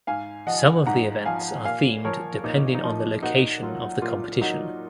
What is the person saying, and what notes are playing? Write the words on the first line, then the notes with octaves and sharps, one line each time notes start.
Some of the events are themed depending on the location of the competition.
G#2 F5 G#5
F3 D#5 F#5
G#2 F#5 A#5
F3 F5 G#5
A#2 F5 G#5
F3 A#4 C#5
A#2 D#4
D#4
F3 F4
A#2 D#4 F#4
F#3 F4
A#2 F4
F#3 D#4 F#4